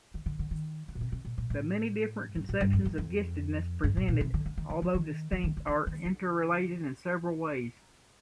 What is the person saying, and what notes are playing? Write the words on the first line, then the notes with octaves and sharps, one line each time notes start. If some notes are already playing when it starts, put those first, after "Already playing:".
The many different conceptions of giftedness presented, although distinct, are interrelated in several ways.
D#3
D3
D3
D#3
D3
A#2
C3
C3
A#2
A#2
A2
G2
A2
G2
F2
G2
F2
G2
A#2
A#2
C3
D3
D3
D#3
D#3
F3
D#3
F3
D#3
D3
D#3
D#3
D3